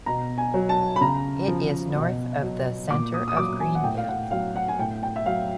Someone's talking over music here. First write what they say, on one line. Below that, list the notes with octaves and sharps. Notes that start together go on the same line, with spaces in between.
It is north of the center of Greenville.
B2 A#5
G#5
F#3
A5
B5
C#3 A#5
F3
B2
F#3
A#2 D6
D#6
D#6
F#3 D6
G#5
F#5
A2 G5
F5
F#5
F#3 F5
F#5
G#5
A2 G5
G5
E5
F#3 F5